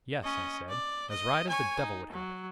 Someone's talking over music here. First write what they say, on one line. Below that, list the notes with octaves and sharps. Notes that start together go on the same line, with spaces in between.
"Yes," I said, "as right as the devil would have it."
C#4 D#5
D5
D#5
C#5 G#5
D#4
F#3